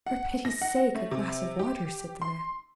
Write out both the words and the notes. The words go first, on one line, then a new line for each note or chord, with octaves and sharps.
"For pity's sake, a glass of water," said the man.
F#5
A#6
F#5
A3
C3
G4
C6